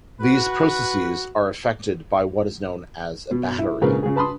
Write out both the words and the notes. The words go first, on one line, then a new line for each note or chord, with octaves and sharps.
These processes are effected by what is known as a battery.
F#4 B4
B2
E4
A#1 G#2 C#3 G#4 A#4 B4
C#3 G#4
B4 A5 B5 C6 D#6